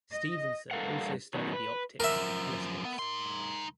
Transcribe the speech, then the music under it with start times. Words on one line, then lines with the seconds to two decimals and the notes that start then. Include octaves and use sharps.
Steavenson also studied the optics of telescopes.
0.14 D#5
0.71 G2 A4 A#4 F5 F#5
1.35 F#2 B2 D#3
1.53 B4
2.00 F#2 F3 A#4 E5
2.85 B3
2.99 D#4 C6